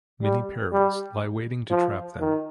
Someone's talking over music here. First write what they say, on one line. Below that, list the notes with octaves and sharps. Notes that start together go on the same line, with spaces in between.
Many perils lie waiting to trap them.
G3
G3
F3
D#3